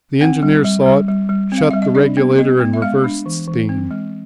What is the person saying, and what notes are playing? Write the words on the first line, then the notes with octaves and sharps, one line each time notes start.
The engineer saw it, shut the regulator, and reversed steam.
C4 F#5
G3
G3
G3
G3
G3
C4
F5
G3 E5
D#5
D4 D5
B3
B3 D#5
B3
E5
G#3 F5
D4
E3
E3
C4
G#3